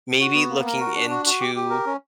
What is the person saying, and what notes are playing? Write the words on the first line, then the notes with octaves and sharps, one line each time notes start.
maybe looking into
F#4
B3
A#3
A#4
F#4
D4
F#4
F#4
G4
G4
A#4
C#4